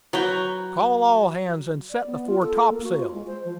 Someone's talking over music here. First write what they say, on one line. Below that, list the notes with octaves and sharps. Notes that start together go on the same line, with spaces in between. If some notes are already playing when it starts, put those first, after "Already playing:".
"Call all hands, and set the fore-topsail."
F#3 B4 G5 A#5 C#6
D5
B3
F4
A4
A4
A#3
F#4
F4
G#3
C5
F3